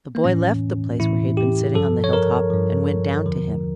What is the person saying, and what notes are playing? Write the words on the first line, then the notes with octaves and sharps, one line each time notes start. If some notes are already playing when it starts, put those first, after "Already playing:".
The boy left the place where he had been sitting on the hilltop, and went down to him.
A#3
A2 E3 C#4
A2 E3 E4
G4
G2 F3 A4
C#5
A#4
G2 F3
E2 D3 F3